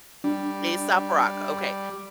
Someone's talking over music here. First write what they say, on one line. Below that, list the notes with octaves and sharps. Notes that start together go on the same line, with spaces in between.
Aesop Rock, okay.
G3 D4